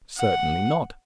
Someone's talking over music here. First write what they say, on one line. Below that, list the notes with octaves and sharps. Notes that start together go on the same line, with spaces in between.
Certainly not.
F#5